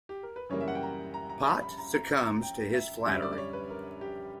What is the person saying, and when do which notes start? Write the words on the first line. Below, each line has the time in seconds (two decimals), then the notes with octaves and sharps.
Pot succumbs to his flattery.
0.09 G4
0.23 A#4
0.36 B4
0.49 F#2 C#3 E3 G3 A#3 C#5
0.61 E5
0.68 F#5
0.75 G5
0.83 A#5
1.14 A#5
1.30 A#5
1.46 B5
1.62 B5
1.78 A#5
1.94 A#5
2.26 A#5
2.43 G5
2.73 E5
3.06 F#2 D3 G3 C#4 E5
3.22 D5
3.33 D5
3.38 C#5
3.53 B4
3.70 A#4
4.01 G4